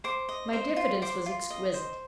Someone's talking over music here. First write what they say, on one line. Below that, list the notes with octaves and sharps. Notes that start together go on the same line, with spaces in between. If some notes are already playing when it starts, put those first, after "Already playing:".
My diffidence was exquisite.
C5 D6
D#5
C5
F4
C5 D6
F4
D#5
C5